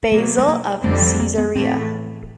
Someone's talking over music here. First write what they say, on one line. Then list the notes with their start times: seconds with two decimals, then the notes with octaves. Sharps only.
Basil of Caesarea.
0.12 B2 F#3 A3 A#3
0.38 A3
0.48 A#3
0.84 F2 D3 G3 A3 C4
1.02 F3
1.20 A#3
1.38 B3
1.56 A2 E3 A3 C4